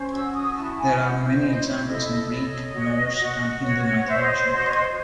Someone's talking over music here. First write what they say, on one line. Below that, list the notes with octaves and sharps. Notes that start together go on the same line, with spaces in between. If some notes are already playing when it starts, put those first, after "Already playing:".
There are many examples in Greek, Norse, and Hindu mythology.
Already playing: C#4 C5
F#4 E6
D#6
E4 A5
G#5
C5 F#5
E5
E4 D#5
C#5
A4 D#5
D#5
C#5 D#5
F#4
F#4
C#5
F#5
C5 E5
D#5
C#5
F#4 D#5
C#5
D#5